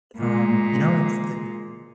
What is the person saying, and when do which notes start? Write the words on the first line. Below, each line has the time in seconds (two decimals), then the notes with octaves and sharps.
um, you know, it's it
0.17 A#2 G#3